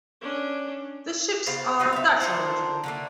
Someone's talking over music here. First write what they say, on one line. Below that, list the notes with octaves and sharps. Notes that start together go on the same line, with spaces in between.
The ships are of Dutch origin.
C#4 D4
C#3 B3 C5 F5
F#3 D#4 F4
E5 F5
D4 D#4 F4 C5
D3 A3 A#3